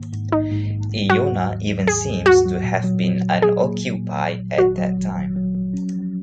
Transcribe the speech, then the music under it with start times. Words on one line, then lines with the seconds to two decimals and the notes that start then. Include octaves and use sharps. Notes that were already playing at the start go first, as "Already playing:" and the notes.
Iona even seems to have been unoccupied at that time.
Already playing: G#2 D#3 A#3
0.12 G#2
0.32 A#1 D#4
0.51 G#2
0.71 G#2
0.90 G#2
1.10 F#3 F#4
1.29 D#2
1.48 D#3
1.68 D#2
1.87 D#2 G#4
2.06 D#2
2.26 D#2 F#4
2.45 F#3
2.64 A#2
2.84 F#3
3.04 F#3
3.22 F#3
3.41 F#3 G#4
3.62 A#3
3.81 A#3
4.00 A#2
4.19 F#3
4.39 G#1
4.58 G#1 F#4
4.78 F#3
4.96 G#1
5.16 G#1
5.36 F#3
5.55 F#3
5.74 C#4
5.94 F3